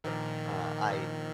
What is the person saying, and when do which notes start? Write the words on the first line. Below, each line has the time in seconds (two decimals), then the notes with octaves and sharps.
uh, I
0.04 A#1 A#2 D#3 F3
0.89 A#1 A#2 F3